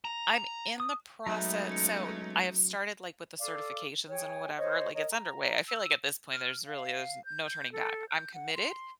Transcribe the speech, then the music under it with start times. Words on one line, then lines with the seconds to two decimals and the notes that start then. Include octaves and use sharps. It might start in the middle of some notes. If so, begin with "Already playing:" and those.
I'm in the process so I have started, like, with the certifications and whatever, like, it's underway I feel like at this point, there's really, there's no turning back. I'm committed,
0.05 A#5
0.80 D#6
1.26 F#3 G#3 A3 B3 D#4 E5 A#5
1.68 C#4 C#7
3.39 A4 D5 F5 D6
4.10 G#4 C#5 G5 G#5
4.57 C5 C#5 D#5 C#6
4.93 A#4 C#5 D#5
5.09 A#5
5.66 E6
6.32 F6
6.66 F5
7.25 G6
7.46 G6
7.72 A4
8.09 G6
8.34 F#5
8.54 C6